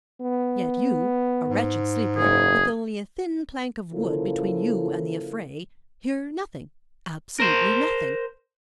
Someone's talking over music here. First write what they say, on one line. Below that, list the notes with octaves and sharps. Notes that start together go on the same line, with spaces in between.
Yet you, a wretched sleeper, with only a thin plank of wood between you and the affray, hear nothing, absolutely nothing.
B3
G#2
F#1 G#4
C#3 F3 A#3 E4 A4
A#4 C5